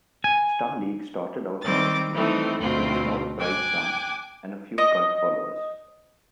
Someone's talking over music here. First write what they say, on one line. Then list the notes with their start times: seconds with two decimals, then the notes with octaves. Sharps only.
Starleague started out modestly, with a small prize sum and a few cult followers.
0.24 G#5
1.63 D#3 G3 C4 D6 A6
2.12 E3 G3 A3 C4 D#4
2.59 D2 B2 C4 F4
3.38 G5 G#5 D6 F#6
4.78 D#5